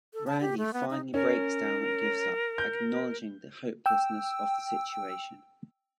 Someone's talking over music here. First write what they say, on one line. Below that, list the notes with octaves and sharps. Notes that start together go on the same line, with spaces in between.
Randy finally breaks down and gives up, acknowledging the hopelessness of the situation.
A4
A5
G4
A3
B3
D#4
C#4 A#4
G6
G5 E6